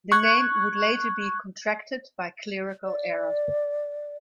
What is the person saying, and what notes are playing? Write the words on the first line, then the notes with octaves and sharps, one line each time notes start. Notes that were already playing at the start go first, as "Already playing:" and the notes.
The name would later be contracted by clerical error.
C#6 F#6 G#6
D5